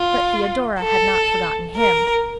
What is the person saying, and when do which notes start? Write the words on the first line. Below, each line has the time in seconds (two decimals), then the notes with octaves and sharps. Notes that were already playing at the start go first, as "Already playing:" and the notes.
But Theodora had not forgotten him.
Already playing: F4
0.80 A4
1.76 A#4